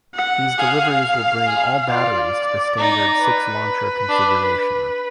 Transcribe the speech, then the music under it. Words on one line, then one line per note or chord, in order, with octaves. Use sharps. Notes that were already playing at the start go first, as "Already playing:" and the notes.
These deliveries will bring all batteries to the standard six launcher configuration.
F#5
G#4 F5
G#4
F4 D5
D#4
B4
D4